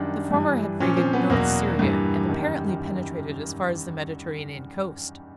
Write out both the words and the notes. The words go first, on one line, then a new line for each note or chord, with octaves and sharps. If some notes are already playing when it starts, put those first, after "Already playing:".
The former had raided North Syria and apparently penetrated as far as the Mediterranean coast.
Already playing: F#2 D#3 G3 D4
G2 E3 G3
A#2 F3 C#4
C4
B3
E2 B2 F#3 A#3
G2 E3 G3
F#2 D#3 G3